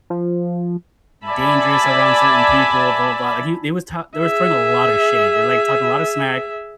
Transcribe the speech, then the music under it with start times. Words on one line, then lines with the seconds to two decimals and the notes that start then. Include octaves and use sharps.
dangerous around certain people, blah blah blah. Like, you they was ta they was throwing a lotta shade. They're, like, talking a lotta smack
0.10 F3
1.24 D5 E5 G#5 A5 B5
4.18 G#4 E5